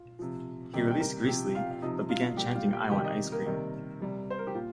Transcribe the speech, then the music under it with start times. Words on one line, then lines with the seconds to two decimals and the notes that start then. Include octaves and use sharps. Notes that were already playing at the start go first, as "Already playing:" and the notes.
He released Greasley, but began chanting "I want ice cream".
Already playing: F4
0.19 C3 F3
0.73 C3 D#3 G3 G4 G5
0.91 G5
1.00 A#4 A#5
1.28 C3 F3 G4 G5
1.55 F4 F5
1.71 F5
1.82 C3 F3 D#4 D#5
2.09 F4 F5
2.37 A#2 G3 G4 G5
2.55 F4 F5
2.67 F5
2.73 G4 G5
2.91 C3 D#3 G3 G4 G5
3.04 D#4 D#5
3.32 A#3 A#4
3.46 C3 D#3 G3
4.00 C3 G3
4.30 C5
4.39 A#4
4.47 G4
4.55 A#2 F4